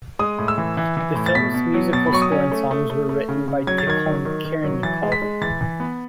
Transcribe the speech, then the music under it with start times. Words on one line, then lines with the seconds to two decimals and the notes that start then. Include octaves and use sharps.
The film's musical score and songs were written by Tikhon Khrennikov.
0.19 G#3 D#6
0.39 A2
0.48 E6
0.58 E3
0.77 E3
0.97 E3
1.16 A2
1.26 A6
1.35 B2 B6
1.54 B2
1.74 F#3
1.93 B2 A6
2.06 B5
2.13 F#3 C#6
2.22 D#6
2.32 C#4
2.52 A3
2.71 A3
2.90 A3
3.09 A3
3.29 C#3
3.48 C#3
3.67 F#3 G#6
3.78 A6
3.87 D#3 G#6
4.06 F#3
4.25 D#3
4.45 D#3
4.64 F#3
4.83 E3 A6
5.03 G#3
5.12 B6
5.22 G#3
5.41 E3 A6
5.61 E3
5.80 B3